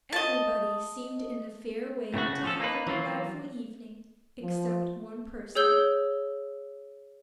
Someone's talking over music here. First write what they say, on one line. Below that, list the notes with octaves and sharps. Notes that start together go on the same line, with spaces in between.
Everybody seemed in a fair way to have a delightful evening except one person.
D#5 A5
A2 C#3 A3 F#4
F3 C#4 A4
A#3 D#4 B4
E3 F#3 A#3 F4
F3
G#4 C#5 E6 G6 G7